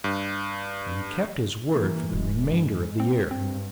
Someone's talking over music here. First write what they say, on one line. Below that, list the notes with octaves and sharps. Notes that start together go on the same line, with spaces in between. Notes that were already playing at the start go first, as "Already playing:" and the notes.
And he kept his word for the remainder of the year.
G2
E3 A#3
D#1 G#3
G2
C4
G2 C4